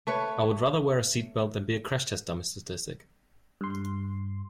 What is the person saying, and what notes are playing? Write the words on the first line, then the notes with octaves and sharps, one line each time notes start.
I would rather wear a seatbelt than be a crash test dummy statistic.
A3 B4 C#5
G2 C6